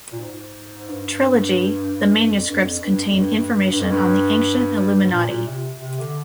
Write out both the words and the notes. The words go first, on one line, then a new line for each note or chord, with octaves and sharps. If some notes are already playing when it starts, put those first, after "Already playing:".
Trilogy, the Manuscripts contain information on the ancient Illuminati.
A#2
G#2
G2
F2
G2
F2
G2
F2
G2
G2
G2
G2
F2
G2
A#2
A#2
C3
C3
D3